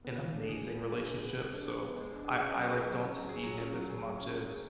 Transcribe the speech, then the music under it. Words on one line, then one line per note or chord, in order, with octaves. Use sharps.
an amazing relationship, so I I, like, don't see him as much as
B3
G#3
D4
G#4
B3
G#3
D4
G#4
B3
G#3
D4
G#4
B3
G#3
D4
G#4
C#4
F#3
G#4
F#3
C#4
F#3
G#4
F#3
C#4
F#3
G#4
F#3
C#4
F#3
G#4